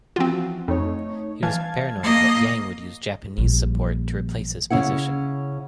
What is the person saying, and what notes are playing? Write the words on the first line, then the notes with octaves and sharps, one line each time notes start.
He was paranoid that Yang would use Japanese support to replace his position.
E3 F3 C4 F4 F#4
F2 A3 D#4 C#5
E3 F5 A5 G#6
A#3 D#5
A#1 G3
C#3 C#4 E4 F#5